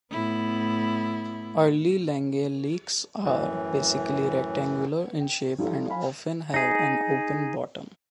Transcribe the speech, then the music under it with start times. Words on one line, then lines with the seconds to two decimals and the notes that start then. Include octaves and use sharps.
Early langeleiks are basically rectangular in shape, and often have an open bottom.
0.11 A2 B3 E4
3.24 F#2 A2 E3
5.20 G5
5.58 F3 G3 D#4 E4 A4
5.89 F5 G#5 B5
6.54 D#4 G#4